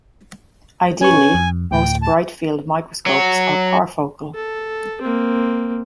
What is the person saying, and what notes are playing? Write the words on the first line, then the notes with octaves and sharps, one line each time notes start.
Ideally, most bright-field microscopes are parfocal.
C#4 B4 G#5 C#6
F2
D2 A2 G5
A5
F#3
A4
A#3 C4